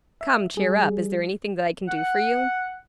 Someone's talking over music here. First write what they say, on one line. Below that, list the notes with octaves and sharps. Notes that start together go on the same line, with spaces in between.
"Come, cheer up; is there anything that I can do for you?"
E5
G3 G#4
F#5